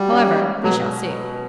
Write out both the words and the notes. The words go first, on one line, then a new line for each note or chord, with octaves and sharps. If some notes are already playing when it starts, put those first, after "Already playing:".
However, we shall see.'
Already playing: G3 F#4
C#4
G#3
B2 F#3